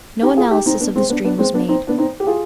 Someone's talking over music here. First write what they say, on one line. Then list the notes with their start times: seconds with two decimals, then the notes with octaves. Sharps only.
No analysis of this dream was made.
0.22 D#4 G4
0.37 F4 G#4
0.51 D#4 G4
0.66 C4 D#4
0.80 B3 D4
0.96 G#3 C4
1.09 B3 D4
1.24 B3 D4
1.39 G#3 C4
1.54 B3 D4
1.68 C4 D#4
1.87 B3 D4
1.98 C4 D#4
2.20 G4
2.26 F4 G#4